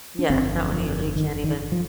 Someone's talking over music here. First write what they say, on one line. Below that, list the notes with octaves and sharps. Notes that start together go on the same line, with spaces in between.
yeah, not when you you can't even
D4
G1 F2 D3 C4
F3
D#3
D#3
F3